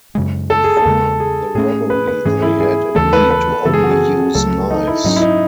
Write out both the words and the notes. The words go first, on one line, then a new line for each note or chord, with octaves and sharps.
Before the robbery they had agreed to only use knives.
F#2 C#3 G#3
A4
G#4
A4
E2 C#3 G#3
G#4
A2 F#3 A3 C#4 G#4
B4
B4
G#2 E3 A3 C#4 G#4
E4
G#4
D#2 C#3 E3 A3 A4
B4
B4
F#2 C#3 E3 B3 A4
G#4
F#4
G#4
C#2 C#3 F#3 A3 A4
D#4
E4
G#2 F#3 C#4 D#4
E4
D#4